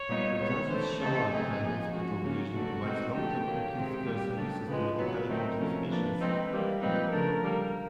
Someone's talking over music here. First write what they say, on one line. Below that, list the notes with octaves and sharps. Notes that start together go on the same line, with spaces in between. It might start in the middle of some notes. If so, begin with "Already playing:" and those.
The Transitional Care Hospital division provides long-term acute care services to medically complex patients.
Already playing: C#5
A#2 G3 B3 D#4
B2 G#3 B3 C#5
E3 A3 D4 C5
C#3 E3 A3 C4 D#4 A4
A2 F#3 A3 C4 D#4 G#4
F3 A#3 D#4
F3 G#3 C#4 F#4
C#3 F#3 A#3 C#4
B2 F#3 A3 D4 F#4
B2 G#3 C4 D#4
A#2 F3 A3 D4 G4
D#3 F#3 A#3 G4
C3 D#3 G#3 C4
A#2 G3 A#3
C#3 F#3 A3 D4
C#3 F3 G#3 B4
A#2 F#3 B3 B4
D3 F#3 A3 C4 D#4 A#4
C3 F3 A3 C#4
F3 A#3 D4 B4
F3 G#3 C4 D#4
E3 G3 A#3
A#2 F3 G#3 C4 D#4 B4
C#3 F3 A3 D4 A#4
D3 G3 A#3